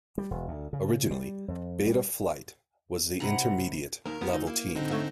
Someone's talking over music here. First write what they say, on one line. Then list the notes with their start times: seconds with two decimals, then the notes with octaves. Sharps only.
Originally, Beta Flight was the intermediate level team.
0.18 G3
0.31 E1
0.48 D2
0.73 C#3
1.11 G3
1.48 F2
1.86 G3
3.20 C3 E4 F#5 A#5
4.06 D#2 D#3 A#4
4.21 G3 G#3 B3
4.33 D2 D#4
4.47 A#3 E4
4.75 D3 C4 D#4
4.90 G#2 A3 C#5